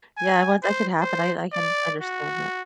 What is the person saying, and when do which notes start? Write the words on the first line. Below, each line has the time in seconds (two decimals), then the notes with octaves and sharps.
Yeah. Well, that could happen. I I can understand that.
0.18 G#5
0.63 C5
1.01 C5
1.53 D5
2.01 F#4